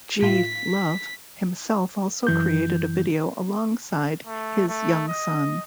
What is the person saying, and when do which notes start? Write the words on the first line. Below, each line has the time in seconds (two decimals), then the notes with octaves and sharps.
G Love himself also created a video alongside his young son.
0.22 A2 F4 B6
2.27 F#2 E3 G6
4.27 A3
4.68 A3
5.08 D#5